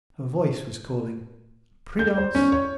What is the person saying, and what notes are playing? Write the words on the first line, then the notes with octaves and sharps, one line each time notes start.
A voice was calling, "Prudence!"
G6
C5
C#4
C#5